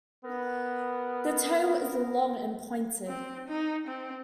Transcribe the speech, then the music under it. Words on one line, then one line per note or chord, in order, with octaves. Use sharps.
The tail is long and pointed.
B3 A#4
C4
D#4
C4